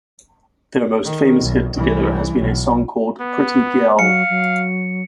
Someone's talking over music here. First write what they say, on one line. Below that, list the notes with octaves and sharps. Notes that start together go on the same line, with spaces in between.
Their most famous hit together has been a song called "Pretty Gyal".
D#3
B1
C2 E3
B1
B3
F#3 F5 C#7
F#3